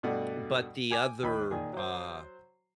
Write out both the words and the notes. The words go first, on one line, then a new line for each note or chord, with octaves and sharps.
but the other, uh
G2 B2 A3 D5 F#5
G5 G#5 D6
D#2 D#5 B5
A#2 D#3 G#4
F#3 C5